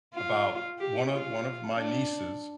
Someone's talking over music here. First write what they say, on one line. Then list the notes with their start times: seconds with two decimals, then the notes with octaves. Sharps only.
about one of one of my nieces,
0.14 F4
0.79 G4
1.12 F4
1.77 D4